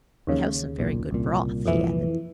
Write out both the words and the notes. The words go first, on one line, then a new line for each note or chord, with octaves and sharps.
"We have some very good broth," he added.
D#2 C#3
B1 A#2
C2 A#2
F2 E3